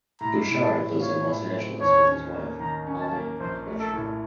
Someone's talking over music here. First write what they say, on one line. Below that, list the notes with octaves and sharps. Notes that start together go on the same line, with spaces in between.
Bouchard lives in Los Angeles with his wife, Holly Kretschmar.
A2 A#5
A2
A5
C4
F4 C#5
A2
C4
D#2 C#5
C#4
A#3
D#3 A#5
C#4
A5
A#3
A#1 C5
A3
A4
A2